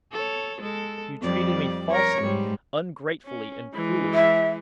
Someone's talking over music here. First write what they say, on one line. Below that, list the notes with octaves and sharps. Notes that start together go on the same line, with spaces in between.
You treated me falsely, ungratefully, and cruelly.
A4 C#5
G#3 A4
F2 G3 D5
A#4 C#5
G#2 G3
C#4
E3 G#3
E5